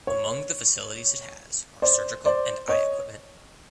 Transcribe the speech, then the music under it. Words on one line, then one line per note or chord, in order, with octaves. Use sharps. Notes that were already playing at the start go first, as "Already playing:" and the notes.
Among the facilities it has are surgical and eye equipment.
C#5
C5 D5
C5 D5
C#5 D#5